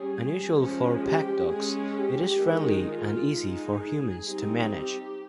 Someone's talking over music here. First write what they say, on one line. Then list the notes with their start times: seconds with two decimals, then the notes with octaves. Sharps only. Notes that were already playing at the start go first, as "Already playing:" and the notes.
Unusual for pack dogs, it is friendly and easy for humans to manage.
Already playing: G3 C#4 G#4
0.57 F3 G#3 C#4
1.02 G4
1.47 G#3 C#4 G#4
1.93 G4
2.39 D#3 G#3 D#4
2.85 F4
3.30 G#3 D#4
3.76 G#4
4.22 G3 C4 D#4
4.67 G4